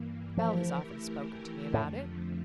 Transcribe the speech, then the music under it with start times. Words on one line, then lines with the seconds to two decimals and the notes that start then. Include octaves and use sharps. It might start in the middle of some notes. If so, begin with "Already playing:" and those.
Bell has often spoken to me about it.
Already playing: G2 E3 A#3
0.37 E3 F3 A3 E4 G4 A#4
1.73 F2 A2 D3 F3 A3